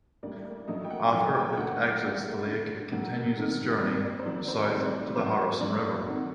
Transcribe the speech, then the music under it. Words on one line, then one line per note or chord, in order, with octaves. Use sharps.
After it exits the lake it continues its journey south to the Harrison River.
A2 G3 A#3 D4 D5
D5
A2 F#3 A#3 D4 D#5
G5
F#5
A2 F#3 A3 D#5
G5
G5
A2 A3 D4 F#5
A2 G3 A#3 D4
D3 A3 D4
A#2 F#3 A#3 D4 F#5
D#3 A3 C4 D#4
A#2 G3 C4 D5
D5
C5
C3 D#3 F#3 D5
C5
A2 G3 C4 D#4 D5
C5
D5
D5
A#2 F#3 A#3 C5
F#3 A#3 D4 D5
D#3 A3 C4 D#4 F#5